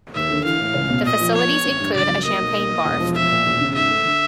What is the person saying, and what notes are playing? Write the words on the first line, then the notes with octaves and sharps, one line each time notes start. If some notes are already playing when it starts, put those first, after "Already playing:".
The facilities include a champagne bar.
D#2 E5
D3
E3 F5
A2
C#2
B2
A#2 D#5
F3
B3 C#5
B3
A1
G2
C#2 D5
F#3
A#3 D#5
B1
A#3
A#3
E1
F3
F3 E5
A#2
E1
C#3
G#2 E5
A3
D3